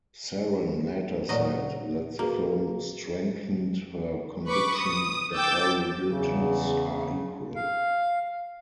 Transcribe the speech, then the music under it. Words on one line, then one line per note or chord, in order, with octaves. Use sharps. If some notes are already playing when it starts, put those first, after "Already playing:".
Saran later said that the film strengthened her conviction that all religions are equal.
A#2 F#3 D#5
A#3 F#4 G#4 B4
B4 B5 C#6 D6
D#6
G5 D6 E6 G6 A6
E2 C#3
F5